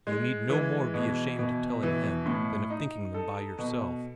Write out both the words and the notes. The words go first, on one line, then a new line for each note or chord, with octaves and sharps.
You need no more be ashamed of telling him than of thinking them by yourself.
G#3
E3
B2
B2
E3
A2
D#4
A4
B2